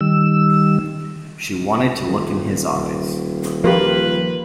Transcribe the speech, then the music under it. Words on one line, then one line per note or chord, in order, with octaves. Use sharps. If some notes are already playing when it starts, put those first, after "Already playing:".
She wanted to look in his eyes.
D#3 G3 E6
D#1
F3 A#3 F4 G4 B4